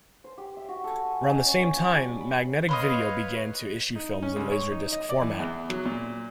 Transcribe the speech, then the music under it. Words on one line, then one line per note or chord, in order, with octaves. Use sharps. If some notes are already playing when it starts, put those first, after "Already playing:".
Around the same time, Magnetic Video began to issue films in laserdisc format.
C5
G4
E5
F#4
A4
G#5
D#5
C#4
C#5
F3
G3
B5
B4 C#5 D#5 F5 B5 C6
D#4
C#4
C#2
C#5
D#4
D#5
D5
E3
E2
F#3
A#2